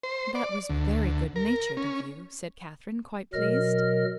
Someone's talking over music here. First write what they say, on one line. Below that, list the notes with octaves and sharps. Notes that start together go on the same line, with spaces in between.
"That was very good-natured of you," said Catherine, quite pleased.
C5
D5
D2
A#4
C#4
B2 F#3 A#4 D#5 F6